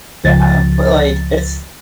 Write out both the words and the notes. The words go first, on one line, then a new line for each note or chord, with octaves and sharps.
Yeah, but, like, it's
C#2 F3 A6